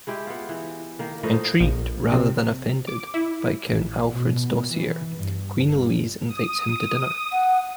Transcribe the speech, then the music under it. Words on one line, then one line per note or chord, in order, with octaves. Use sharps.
Intrigued rather than offended by Count Alfred's dossier, Queen Louise invites him to dinner.
G#3 E4 G4 G5
B3 F4
E3
D#3 A#3
A2 F3 D#4 D#5
A#1
C3
D6
E4
A1
B2
E3
G2
G1
D#6
F#5